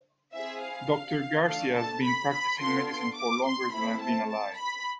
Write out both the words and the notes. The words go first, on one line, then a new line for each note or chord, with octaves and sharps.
Doctor Garcia has been practicing medicine for longer than I have been alive.
C4 E4 G#4 E5
F5
A3 D4 A4 F5
A5
B5
B5
B3 D4 F4 A4 C6
C6
D6
C6
C4 E4 A4 B5
A5
A5
B5